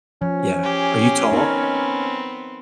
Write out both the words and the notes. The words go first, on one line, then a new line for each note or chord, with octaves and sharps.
Yeah. Are you tall?
F3 C#4
G4 G#4
B3 C4 D#4 A#4 C#5